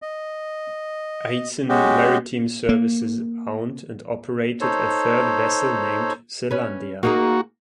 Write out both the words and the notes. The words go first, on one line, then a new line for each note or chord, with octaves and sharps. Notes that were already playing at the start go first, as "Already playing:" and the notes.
Eitzen Maritime Services owned and operated a third vessel named "Selandia".
D#5
G#3 C#4 F#4 G4
A#3
D#4 A4 C5 C#5
C#4 B4
A#3 D#4 F#4 G#4